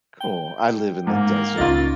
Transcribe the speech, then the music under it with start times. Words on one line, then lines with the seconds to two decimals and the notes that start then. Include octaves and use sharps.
Cool, I live in the desert.
0.21 G5
1.07 G#2 A#3
1.57 C#2 D#4 F4 A6